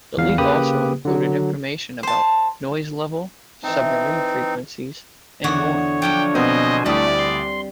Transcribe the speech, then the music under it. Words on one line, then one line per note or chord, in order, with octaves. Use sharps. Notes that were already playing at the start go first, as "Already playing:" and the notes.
The leak also included information about noise levels, submarine frequencies and more.
E2 F5
C#3 A#3 G4 B4 D#6 F#6
D3 F#3
C5 A5
E3 C4 D#4 A5
E2 D3 F#4 C#5
F3 F#3 D4 G5
B2 B3 C4 A#4 C5 D#5 G#5
D2 G3 A3 C4 E4 D5 D#6
C6